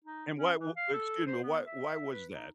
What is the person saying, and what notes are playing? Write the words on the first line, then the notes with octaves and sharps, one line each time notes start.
And why wo excuse me. Why why was that?
D#4
C#4
E3
F5
A4
C5
B3
E5
B4
D#4